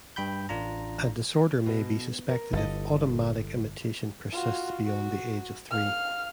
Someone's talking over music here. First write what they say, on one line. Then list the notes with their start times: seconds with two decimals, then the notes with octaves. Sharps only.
A disorder may be suspected if automatic imitation persists beyond the age of three.
0.16 G2 G5 B5 G6
0.49 A1 D4 F4 A#5
1.66 B2
2.29 A#4
2.53 G1 E4 A4 D#5
4.32 F4 F#4
4.86 F#4
5.71 F5 F6